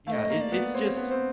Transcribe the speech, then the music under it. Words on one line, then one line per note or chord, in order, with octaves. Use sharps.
Yeah, it it's just
A3 D#5 F5
A#3
D5
B3
C4 C#5
B3
C4 C5